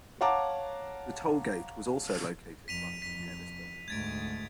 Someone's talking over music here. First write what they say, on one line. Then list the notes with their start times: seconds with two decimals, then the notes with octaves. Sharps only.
The toll gate was also located roughly near this building.
0.21 C#5 F5 F#5 A5 A#5 D6
2.68 F2 B6 D#7 F7
3.02 F2 B6
3.88 D2 G#2 G#6 A6 D7